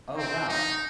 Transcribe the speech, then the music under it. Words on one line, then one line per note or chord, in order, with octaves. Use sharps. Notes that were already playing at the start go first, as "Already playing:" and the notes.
Oh, wow.
C4
D#4